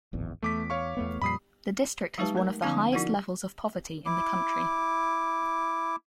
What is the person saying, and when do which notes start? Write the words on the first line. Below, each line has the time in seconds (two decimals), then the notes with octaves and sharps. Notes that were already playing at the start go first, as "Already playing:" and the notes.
The district has one of the highest levels of poverty in the country.
0.13 D1 G#1 E2
0.42 E2 A3 D6 B6
0.70 C#5 F5 C#6
0.97 E2 A3 B3
1.22 F2 A#2 G3 B5 D#6 C7
2.18 F#3 G#3 D#4 G4 B4 A5
2.37 A3 A#4
2.62 D3 F3 B3 C#4 D#4 F5
2.92 F3 D#4 E4 F#4 A#4 F#5
4.06 E4 D6